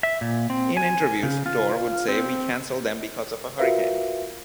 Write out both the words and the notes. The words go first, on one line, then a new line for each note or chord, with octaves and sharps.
In interviews, Dorr would say we canceled them because of a hurricane.
E5
A#2
C4
G#5
C#3
F4
C4
F4 F#4 A#4 B4 E5 F5